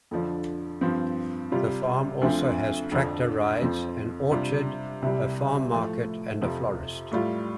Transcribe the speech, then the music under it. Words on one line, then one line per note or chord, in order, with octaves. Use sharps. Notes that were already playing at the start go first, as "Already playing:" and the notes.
The farm also has tractor rides, an orchard, a farm market and a florist.
F2 D3 F3 D4
G2 F3 C4
C3 G3 F4
D2 D3 F3 C4
F2 D3 F3 D4
F2 F3 C4
C3 G3 D4 F4
C2 C3 G3
A2 F3 A3
F2 C3 F3
A2 G3 F4